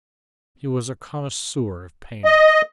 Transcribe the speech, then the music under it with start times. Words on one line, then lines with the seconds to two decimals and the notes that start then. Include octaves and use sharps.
He was a connoisseur of painting.
2.25 D#5